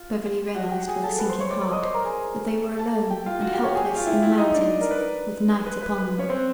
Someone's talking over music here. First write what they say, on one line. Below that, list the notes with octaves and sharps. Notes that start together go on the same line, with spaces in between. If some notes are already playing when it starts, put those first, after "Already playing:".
Beverly realized with a sinking heart that they were alone and helpless in the mountains with night upon them.
Already playing: F4
F#4 F#5
G4 G5
G#4 G#5
A4 A5
B4 B5
C5 C6
C#5 C#6
D5 D6
D5 D6
D#5 D#6
C5 C6
A#4 A#5
G#4 G#5
A4 A5
G4 G5
F4 F5
F#4 F#5
G4 G5
C#5 C#6
G#4 G#5
G4 G5
F4 F5
E4 E5
E4 E5
D#4 D#5
D4 D5
A#4
B4
B4
B4
B4
C#4 C#5
C4 C5